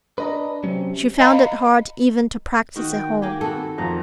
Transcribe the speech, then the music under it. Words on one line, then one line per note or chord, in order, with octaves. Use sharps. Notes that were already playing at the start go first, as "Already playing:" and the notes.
She found it hard even to practice at home.
D4 B4 D#5 A#5
C3 F#3 C#4
D#5 F5 A#5 B5
D#3 F#4
G5
A#3 G4 G#5
B3 C4 F#4 A4
F2 A#3 A#5